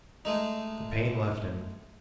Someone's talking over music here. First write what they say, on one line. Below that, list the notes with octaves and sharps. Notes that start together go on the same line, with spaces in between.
The pain left him.
G#3 A3 D#4